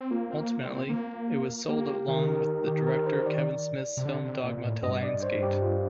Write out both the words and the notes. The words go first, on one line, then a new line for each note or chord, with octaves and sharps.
Ultimately, it was sold along with director Kevin Smith's film "Dogma" to Lionsgate.
C4
A#3 F4
C4
A#3
C4
A#3
A#3 G4
G4
D#3 A#4
A#4
G4
A#4
C5
D5
C3
D3
C3
A#2
A#2
A2
G2 D#5
D5
C5
G4
F4